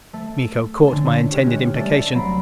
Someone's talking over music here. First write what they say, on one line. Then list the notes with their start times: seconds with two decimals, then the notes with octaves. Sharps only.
Miko caught my intended implication.
0.13 A3
0.88 D3 C#4 D4
1.31 G4 C#5 F6 F#6
1.47 G#3
1.75 G3 A3 C#4 A4 D5 E5
2.15 C2 F#3 A#5 B5 C7 D7